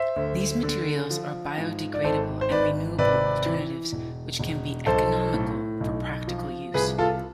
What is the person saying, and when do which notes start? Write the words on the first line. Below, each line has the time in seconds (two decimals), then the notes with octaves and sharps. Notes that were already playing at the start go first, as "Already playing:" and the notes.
These materials are biodegradable and renewable alternatives, which can be economical for practical use.
Already playing: C5 E5
0.16 D2
0.63 D3
1.10 F3
1.58 G#2
1.94 D5
2.04 G#1 A4 C5
2.41 C5
2.51 G#1 B4 D5
2.98 C3 B4 D5
3.46 E3
3.92 E1
4.39 E1
4.86 B1 A4 C5
5.34 A2
5.80 B1
6.27 F3
6.74 C2 G#4 B4
6.98 F4 A4